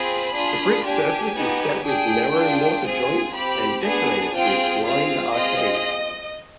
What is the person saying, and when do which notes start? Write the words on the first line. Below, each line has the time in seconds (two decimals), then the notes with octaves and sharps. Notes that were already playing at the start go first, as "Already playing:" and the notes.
The brick surface is set with narrow mortar joints and decorated with blind arcades.
Already playing: C4 F4 G#4 B5
0.35 D4 F4 G#4
0.86 D4 G4 G#5
1.36 B3 D#4 G4
1.85 D4 G#4 G5
2.36 D4 F4 G#4
2.85 C4 F4 G#4 G#5
3.35 C4 G4 B5
3.86 B3 D4 G#4 G#5
4.36 C4 F4 G#4 G5
4.86 C4 F4 G#4 F5
5.35 C4 F4 G#4 D#5